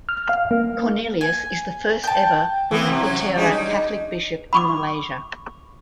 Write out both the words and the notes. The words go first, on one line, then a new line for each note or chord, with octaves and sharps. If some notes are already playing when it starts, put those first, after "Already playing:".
Cornelius is the first ever bumiputera Catholic bishop in Malaysia.
F6
F5
A#3
G#5
G5 A5
E3 B3 C4
C3
F#3 C#4
G3 G#3 D4
D#4
B5 C#6 D6